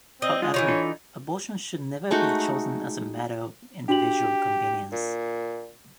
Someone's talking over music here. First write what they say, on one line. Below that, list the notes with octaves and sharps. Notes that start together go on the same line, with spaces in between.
However, abortion should never be chosen as a matter of "individual convenience".
C4 D#5
G#3 F4
E3 F3 D#4 C#5
D4 F4 A4
G#3 A3 D#4 F#4
D4 F#4 G4 F#7
A#2